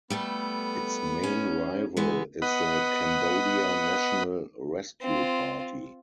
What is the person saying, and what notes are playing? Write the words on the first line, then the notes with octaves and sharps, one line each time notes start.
Its main rival is the Cambodia National Rescue Party.
G3 A3 B3 A4
C#4
E3 G#3 B3
B3 D#5 F#5 B5
C4 F4